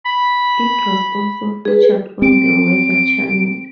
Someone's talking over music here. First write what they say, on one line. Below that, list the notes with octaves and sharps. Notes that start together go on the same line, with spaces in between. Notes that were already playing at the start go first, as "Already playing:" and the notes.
It was also featured on the Weather Channel.
B5
G#4 B4
C4 D7